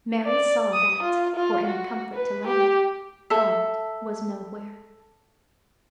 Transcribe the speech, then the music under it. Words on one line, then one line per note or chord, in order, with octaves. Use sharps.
Mary saw that, for any comfort to Letty, God was nowhere.
D5
D#6
F4
F4
F#4
B4
G4
A4 E5